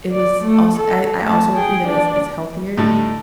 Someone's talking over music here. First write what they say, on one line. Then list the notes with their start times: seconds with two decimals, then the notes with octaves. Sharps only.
it was als I I also agree that it's it's healthier,
0.12 D5
0.42 A3
0.77 A4
1.22 A3 A5
1.54 G#4 G5
1.88 D4 D5
2.77 A2 D3 G3 A3 D#4 A5